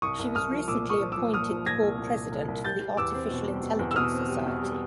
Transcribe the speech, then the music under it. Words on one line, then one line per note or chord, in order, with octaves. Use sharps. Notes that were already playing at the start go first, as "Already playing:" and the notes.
She was recently appointed the board president for the Artificial Intelligence Society.
C2 C#6 D#6
C2
C2 D#6 F6
F3
A#2 D6 E6
A#2
C#6 D#6
F3
F3 D6 E6
A#2 D#6 F6
F3
A#2 G#6 A#6
C2
A#2
A#2
C2
C2
G3 G6 A6
G3
E2 D6 E6
C4
B2
G3
B2
E2
E6
B2 D#6 F6
C4
G3
B2
G3